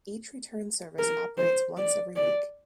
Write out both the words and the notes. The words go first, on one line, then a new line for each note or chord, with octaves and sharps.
Each return service operates once every week.
A#4
C5
D5
D5